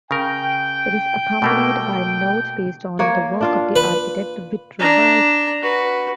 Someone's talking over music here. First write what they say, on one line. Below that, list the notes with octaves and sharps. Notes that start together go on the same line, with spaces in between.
It is accompanied by notes based on the work of the architect Vitruvius.
C#3 A#4 G5
B2 A3 A#3
A#3 C#5
D4 F4 F5
B4
D4 A#5
F#4 B4